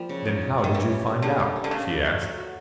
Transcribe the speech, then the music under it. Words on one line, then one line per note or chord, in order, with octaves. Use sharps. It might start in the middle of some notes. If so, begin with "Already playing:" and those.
"Then how did you find out?" she asked.
Already playing: F3 G3 A#3
C#3
D#4
D#4
C#3
D#3
E3 C#4
G3
A#3
D3 G3
G3
A#3
D3
C#3 A3
D4
A3
F#3
F#4